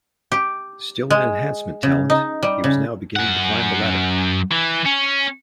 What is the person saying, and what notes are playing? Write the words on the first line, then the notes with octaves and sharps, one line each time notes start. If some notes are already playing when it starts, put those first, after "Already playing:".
Still an enhancement talent, he was now beginning to climb the ladder.
G4
G#3
C#3
D#4
G3
C#3
F#2 F#5
E3
C#4